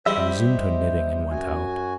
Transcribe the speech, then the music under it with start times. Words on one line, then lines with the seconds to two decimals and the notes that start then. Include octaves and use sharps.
She resumed her knitting and went out.
0.06 G3 E4 C5 D#5 E5
1.31 F#2 F#4 G#5